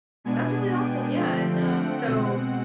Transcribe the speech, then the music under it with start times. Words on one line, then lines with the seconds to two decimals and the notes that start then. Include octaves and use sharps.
that's really awesome. Yeah, and, um, so,
0.24 B2 G#3 B3 D4 G#5
0.71 G5
1.15 D3 F3 A3 C4
1.61 F#5
2.06 B2 G#3 C4